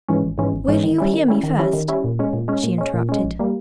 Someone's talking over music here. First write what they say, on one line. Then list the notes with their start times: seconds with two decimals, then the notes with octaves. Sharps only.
"Will you hear me first?" she interrupted.
0.09 G#2 E3 G#3 C#4
0.24 G#1
0.38 G#2 E3 G#3 C#4
0.53 G#1
0.68 G#2 E3 G#3 C#4
0.83 D#3
0.98 G3 C#4 E4
1.14 D#3
1.28 G3 C#4 E4
1.43 D#3
1.59 G3 C#4 E4
1.73 D#3
1.88 G3 C#4 E4
2.04 A#2
2.19 G#3 C#4
2.33 A#2
2.48 G#3 C#4
2.63 A#2
2.78 G#3 C#4
2.94 A#2
3.09 G#3 C#4
3.24 A#1
3.39 G3 A#3